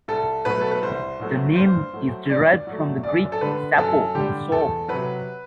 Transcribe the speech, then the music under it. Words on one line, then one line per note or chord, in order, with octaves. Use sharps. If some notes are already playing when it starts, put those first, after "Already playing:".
The name is derived from the Greek "sapo", soap.
C2 A4
B2 F#3 A3 B4
A4
B4
C2 C5
B2 F#3 A3
G2 C5
F#3 A3
G2 D5
F#3 A3
F#2 D5
A4
D3 G3 B4
F#2 A4
D3 G3 G4
E2 A4
C3 F#3 B4